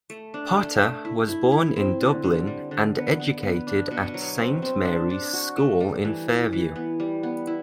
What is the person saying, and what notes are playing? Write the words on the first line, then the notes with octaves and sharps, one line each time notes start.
Potter was born in Dublin and educated at Saint Mary's school in Fairview.
A3
D4
A3
A3
E4
E4
E4
C4
D3
D3
G3
D3
B3
B3
B3
D4
B2
F#3
C4
C4
D4
D4
F#4
A3
G3
E3
E3
E3
B3
G3
B3
E4